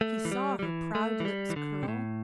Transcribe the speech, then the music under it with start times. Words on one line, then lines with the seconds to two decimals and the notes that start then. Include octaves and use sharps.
He saw her proud lips curl.
0.01 A3
0.25 E3
0.32 G3
0.59 G3
0.63 E3
0.95 A3
1.20 E3
1.25 G3
1.50 E3
1.56 D3
1.83 C3
1.88 A2